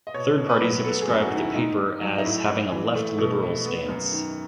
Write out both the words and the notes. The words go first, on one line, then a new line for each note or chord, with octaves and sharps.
Third parties have described the paper as having a left-liberal stance.
D#5
B2 C#5
B2
B4
F#3
B3 A4
G#4
F#2
F#4
D#3
E4
G#2 D#4
G#2
F#3
D#4
A2 E4
A2
E3
A3
B2
A3
B3
F#2
D#3